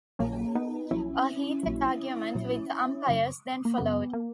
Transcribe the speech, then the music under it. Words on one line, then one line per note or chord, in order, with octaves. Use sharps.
A heated argument with the umpires then followed.
A#1 A#2 F#3 A#3 C#4
B3 D#4
A#1 A#2 F#3 C#4 E4
A#1 A#2 F#3
A#1 A#2 F#3
F#2 C#3 F#3
A#3
F#2 C#3 F#3 B3
A#3